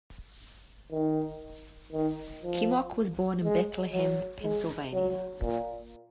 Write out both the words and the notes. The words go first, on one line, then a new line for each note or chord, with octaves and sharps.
Kimock was born in Bethlehem, Pennsylvania.
D#3
D#3
F3
G#3
F#3
G#3
F#3
A#2